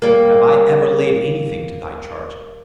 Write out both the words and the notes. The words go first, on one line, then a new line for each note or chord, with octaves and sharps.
Have I ever laid anything to Thy charge?
G3 A#3